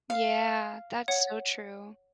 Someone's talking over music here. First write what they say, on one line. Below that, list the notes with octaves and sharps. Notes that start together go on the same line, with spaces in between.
Yeah, that's so true.
F5
C#5 F#5